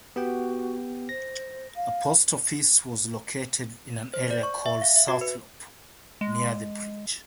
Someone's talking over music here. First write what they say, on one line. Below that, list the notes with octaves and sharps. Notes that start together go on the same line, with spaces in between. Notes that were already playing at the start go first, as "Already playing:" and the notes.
A post office was located in an area called South Loup, near the bridge.
B3 F#4 G4 G5
C5 A#6
F5
C5
D5
C#6
E5
F5
E5
F#4
B4
G#3